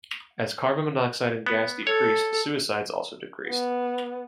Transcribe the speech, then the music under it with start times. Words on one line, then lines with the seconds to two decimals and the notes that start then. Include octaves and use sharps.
As carbon monoxide in gas decreased, suicides also decreased.
1.46 B3
1.87 A4 C#5
3.48 B3